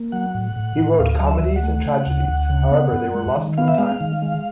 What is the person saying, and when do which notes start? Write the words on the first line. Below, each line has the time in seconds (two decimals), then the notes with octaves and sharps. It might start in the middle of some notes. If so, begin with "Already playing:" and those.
He wrote comedies and tragedies, however they were lost with time.
Already playing: A#3
0.12 F#3 F#5
0.35 A2
0.56 A2
0.77 A2
0.99 D2 F5
1.20 F#3
1.27 E5
1.42 D2
1.56 F#5
1.63 A3
1.86 C#3
2.07 D2
2.28 D2
2.50 C#3
2.71 B3
2.92 F#2
3.15 G#3
3.36 D#3
3.58 B3 F5
3.68 E5
3.78 G#3 F5
4.01 D#3
4.22 G#3